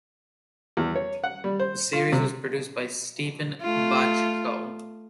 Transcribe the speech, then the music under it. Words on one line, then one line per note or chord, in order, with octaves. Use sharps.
The series was produced by Steven Bochco.
E2
C#5
F#5
G3
C5
F4
C3
A3 F4